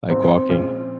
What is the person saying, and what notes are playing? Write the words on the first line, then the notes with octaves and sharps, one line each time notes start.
like walking.
G#2 D#3 G3 B3 C4
A#2 F3 G#3 C#4 F4